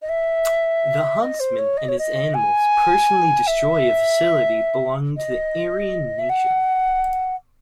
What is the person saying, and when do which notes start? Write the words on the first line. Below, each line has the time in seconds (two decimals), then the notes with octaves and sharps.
The Huntsman and his animals personally destroy a facility belonging to the Aryan Nation.
0.02 D#5
0.09 E5
1.21 D#5
1.40 C5
1.58 C#5
1.77 D#5
1.88 C#5
1.99 D#5
2.34 G#5
3.47 E5
5.16 D#5
6.18 E5
6.29 F#5